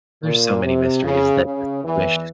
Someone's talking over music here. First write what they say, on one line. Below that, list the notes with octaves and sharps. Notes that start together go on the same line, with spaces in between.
There's so many mysteries that I wish
A#2
C3
C#3
C#3
E2 E3